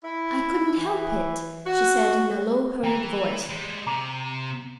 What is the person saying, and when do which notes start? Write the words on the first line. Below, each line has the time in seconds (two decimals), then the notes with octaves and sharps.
"I couldn't help it," she said in a low hurried voice.
0.04 E4
0.77 E3
1.65 F#4
2.83 E3 G5 A#5
3.49 G3 G#3
3.87 C3 A#5 D6